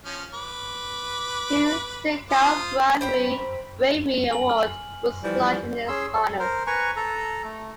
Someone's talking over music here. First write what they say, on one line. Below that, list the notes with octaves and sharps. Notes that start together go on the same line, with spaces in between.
King Sigcau Bravery Award was launched in his honour.
F3 C#4
B4 D6
F4 C5 D#6
C5 G5 A#5 B5
G#5 F#7
F6
E3 F3 G3
C#4 G#4 C6 E6
A4
A#4 C5
B4 G#5 A#5 C#6
A4 A#5
A3